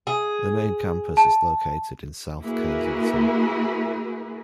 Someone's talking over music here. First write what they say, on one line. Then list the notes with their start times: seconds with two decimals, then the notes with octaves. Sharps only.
The main campus is located in South Kensington.
0.07 G#4
1.17 A5
2.42 A#3 E4 F#4 G#4 A#4 B4